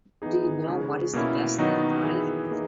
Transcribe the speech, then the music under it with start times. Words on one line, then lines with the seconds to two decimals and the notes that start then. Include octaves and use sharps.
Do you know what is the best thing about it?
0.22 E3 B3 D#4 G#4
0.67 C#3 G#3 C#4
1.13 B2 A#3 C#4 E4
1.58 D#3 F#3 B3 D#4 F#4
2.04 E3 B3 E4 G#4
2.50 E3 A#3 D#4 G#4